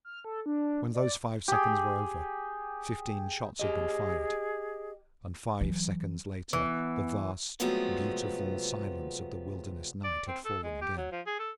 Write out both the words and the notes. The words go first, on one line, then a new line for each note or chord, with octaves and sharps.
When those five seconds were over fifteen shots had been fired, and five seconds later the vast, beautiful silence of the wilderness night had fallen again.
F6
A4
D4
D5
G4 G#4
G4 G#4 D#5
E3 F#3
E3 B3
C3 F3 F#3 G#3 A3 B3
D5
C4
A4
G#3
G4
F#3
F3
G#4
A4